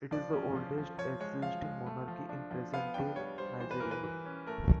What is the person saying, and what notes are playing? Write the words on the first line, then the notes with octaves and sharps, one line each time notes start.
It is the oldest existing monarchy in present-day Nigeria.
F3 D5
C#4
F3
F3
F3 C#5
G#3 C#5
F3 F5
G#3
A3
F3
D4
F3
B3 F5
D4 G5
G3 C#5
G3 C5
E3 C5
B4
E3 A#4
B4
E3
C#4
A3 A#4